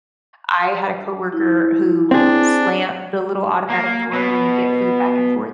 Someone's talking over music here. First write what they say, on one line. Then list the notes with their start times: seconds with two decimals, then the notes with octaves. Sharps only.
I had a coworker who slammed- the little automatic door where you get food back and forth
1.32 E4
2.11 C4 D4 G#4
3.70 A#3
4.13 B2